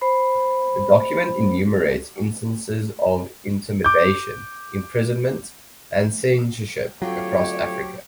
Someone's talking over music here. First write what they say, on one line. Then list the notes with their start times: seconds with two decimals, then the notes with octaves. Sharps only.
The document enumerates instances of intimidation, imprisonment, and censorship across Africa.
0.01 C5 B5
3.84 D6 G6
7.02 D2 F#3 A3 C4 F4 G4 C#5 G5